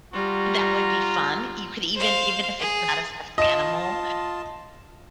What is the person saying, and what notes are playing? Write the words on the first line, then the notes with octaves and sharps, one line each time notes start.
that would be fun. You could even even if it's not a stuffed animal,
G3 F4 F#4 A#5
C5 F5
G#4
F4 D#5 A5 E7